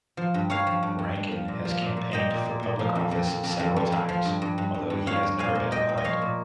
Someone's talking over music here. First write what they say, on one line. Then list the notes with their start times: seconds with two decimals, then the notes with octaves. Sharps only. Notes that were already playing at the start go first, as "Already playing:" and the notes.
Rankin has campaigned for public office several times, although he has never been elected.
0.17 F3
0.34 G2
0.50 G2 C#5 F5
0.67 F3
0.83 G2
0.99 G2
1.15 G2
1.31 F3
1.48 A#2
1.65 F3
1.81 A#2
1.97 A#2
2.11 A#2 D#5 G5
2.30 A#2
2.45 A#2
2.63 A#2
2.79 F3
2.95 F2
3.11 F2
3.27 F2
3.44 F2
3.60 F2
3.76 F2
3.92 F2
4.09 F3
4.25 G2
4.42 G2
4.58 G2
4.74 G2
4.90 G2
5.06 G2 C#5 F5
5.23 G2
5.39 A#2 F5 G#5
5.55 A#2
5.71 A#2 D#5 G5
5.89 A#2
5.97 D#5
6.04 F3 C#5 F5
6.22 A#2